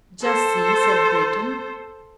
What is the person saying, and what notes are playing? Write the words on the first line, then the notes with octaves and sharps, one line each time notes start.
"Just see," said Breton.
A4 C5